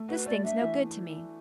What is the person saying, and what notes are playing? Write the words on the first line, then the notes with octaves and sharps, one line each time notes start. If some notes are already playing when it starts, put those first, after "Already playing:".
This thing's no good to me.'
Already playing: A3
F#4 B4
A3 D5
D4 E5
E3